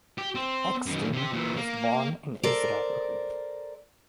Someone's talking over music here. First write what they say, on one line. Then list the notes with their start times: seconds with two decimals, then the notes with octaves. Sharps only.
Eckstein was born in Israel.
0.18 G4
0.35 C4
0.86 F#2 D#3
1.13 C3 G4
1.33 A#2 E3
1.56 A#3
2.43 A4 A#4 C5 D5